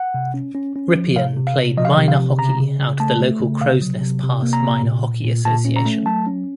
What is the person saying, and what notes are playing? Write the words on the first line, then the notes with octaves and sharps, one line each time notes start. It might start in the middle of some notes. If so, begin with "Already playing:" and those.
Rypien played minor hockey out of the local Crowsnest Pass Minor Hockey Association.
Already playing: F#5
C3
C#4
C#4
C#4
F3
C3 F5
C3
F5
C3
F3 D#5
F5
D#5
C3
F5
C3
C#3 A#5
C#3
C#3
A3 A5
A3
C#3
C3 F5
F#3
C3
C3
A#3
A#5
C3
A#2
A#2
A#2
A#2 A5
C#4
A#5
A3
F#3 A5
C#4